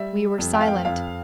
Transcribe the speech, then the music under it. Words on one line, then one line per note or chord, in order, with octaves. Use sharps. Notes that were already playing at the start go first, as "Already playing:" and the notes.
We were silent.
Already playing: G3 E5
F2
G5
F5
G5
F2 F5